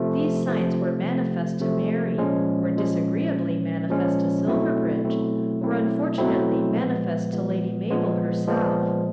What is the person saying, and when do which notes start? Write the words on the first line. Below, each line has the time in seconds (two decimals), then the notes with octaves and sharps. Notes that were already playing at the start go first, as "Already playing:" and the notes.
These signs were manifest to Mary,--were disagreeably manifest to Silverbridge,--were unfortunately manifest to Lady Mabel herself.
Already playing: C3 F3 A3
0.46 C3 F3 A3
1.03 C3 F3 A3
1.60 C3 F3 A3
2.18 A#2 F3 G#3 C#4
2.75 A#2 F3 G#3 C#4
3.32 A#2 F3 G#3 C#4
3.89 A#2 F3 G#3 C#4
4.47 B2 F#3 A3 C4 E4
5.04 B2 F#3 A3 C4 E4
5.61 B2 F#3 A3 C4 E4
6.18 B2 F#3 A3 C4 E4
6.76 A#2 F3 G#3 B3
7.33 A#2 F3 G#3 B3
7.91 A#2 F3 G#3 B3
8.47 A#2 F3 G#3 B3